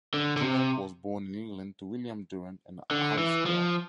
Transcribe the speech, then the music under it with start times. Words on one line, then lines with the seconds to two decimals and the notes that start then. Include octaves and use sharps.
Durant was born in England to William Durant and Alice Pell.
0.14 D3
0.37 D3
0.41 C3
2.91 D3
3.18 E3
3.46 F3